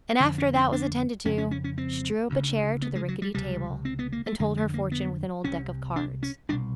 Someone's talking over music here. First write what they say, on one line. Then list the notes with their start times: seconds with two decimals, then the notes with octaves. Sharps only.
And after that was attended to, she drew up a chair to the rickety table, and told her fortune with an old deck of cards.
0.20 F2 D3 C#4
0.38 C#4
0.55 C#4
0.72 D4
1.25 F2 C#3 C#4
1.38 C#4
1.51 C#4
1.64 C#4
1.78 C4
2.30 D2 C#3
2.82 B3
2.95 G#3
3.08 F#3
3.22 G3
3.34 C#2 C3 G3
3.85 C4
3.99 B3
4.12 A#3
4.26 A3
4.39 F2 D3 G#3
4.57 A3
4.74 A#3
4.92 B3
5.44 C2 C3 C#4
5.96 D4
6.23 C#4
6.49 C2 D4
6.52 B2